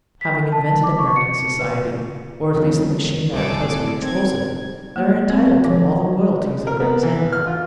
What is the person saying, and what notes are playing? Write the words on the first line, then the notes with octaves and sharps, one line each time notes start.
Having invented American society, or at least the machine that at present controls it, they are entitled to all the royalties it brings in.
B6
A5
D6
C#6
C#7
B4
E1 F2 C#3
C2 G#4 A4 D6
C2 A2
D#3 C4 G#6
A#3
C4
C#5
F3
A#4
B3
E3
F6
F4